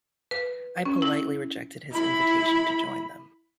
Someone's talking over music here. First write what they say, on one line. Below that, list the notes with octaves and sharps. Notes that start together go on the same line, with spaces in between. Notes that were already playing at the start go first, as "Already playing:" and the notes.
I politely rejected his invitation to join them.
B4
C#4
E4
E4 B5